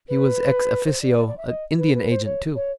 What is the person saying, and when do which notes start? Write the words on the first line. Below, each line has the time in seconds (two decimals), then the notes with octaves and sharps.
He was ex-officio Indian agent, too.
0.08 B4
0.85 C5
1.01 D5
1.16 D5
1.27 D5
1.37 E5
1.48 D#5
1.78 B4
1.94 B4
2.10 C5
2.24 C#5
2.55 C#5